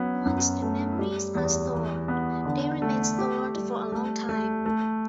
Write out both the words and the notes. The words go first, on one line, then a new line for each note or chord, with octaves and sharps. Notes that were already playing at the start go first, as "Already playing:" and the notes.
Once the memories are stored, they remain stored for a long time.
Already playing: F#3 B3 C#4
F#2
A3
G3
E2
E3
B3
D3
A3
G4
G3
A3
A3
A3